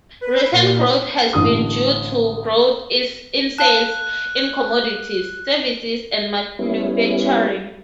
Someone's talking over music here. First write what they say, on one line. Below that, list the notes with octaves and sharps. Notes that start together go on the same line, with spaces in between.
Recent growth has been due to growth in sales in commodities, services, and manufacturing.
B4
A#2
A1 D3 D#6
F5 A5 F#6
G3 B3 C#4 E4